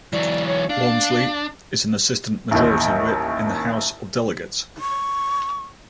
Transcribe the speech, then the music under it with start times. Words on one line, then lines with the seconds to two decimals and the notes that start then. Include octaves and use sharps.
Wamsley is an assistant majority whip in the House of Delegates.
0.13 E3 F#3 D5
0.47 C#5
0.69 D4 F5
2.51 A1 D#2
4.80 C#6